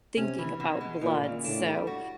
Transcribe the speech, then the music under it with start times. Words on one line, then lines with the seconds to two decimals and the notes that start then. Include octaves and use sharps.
thinking about blood, so,
0.17 C3 C#4
0.38 E3
0.60 B2
0.81 G#3
1.01 E2 A#2
1.23 C#3
1.44 A2 D4
1.65 G3
1.87 F#4